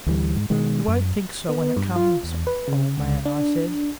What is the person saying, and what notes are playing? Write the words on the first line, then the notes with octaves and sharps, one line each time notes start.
'You won't think so when it comes, old man,' I said.
D2 E3 G3
G#2
B2 D#3 G#3
F#2
B3
G2
F4
E2
B4
C#3
C#2
D4